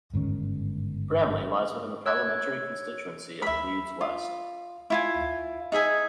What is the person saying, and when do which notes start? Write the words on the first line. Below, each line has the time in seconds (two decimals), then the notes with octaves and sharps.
Bramley lies within the Parliamentary constituency of Leeds West.
0.14 G1 G#2 D#3 C#4
2.06 C#5 E6 F#6 G#6
3.42 E5 B5
4.01 F4
4.90 E4 F4 G#5
5.72 D#4 G#4 E5 G#5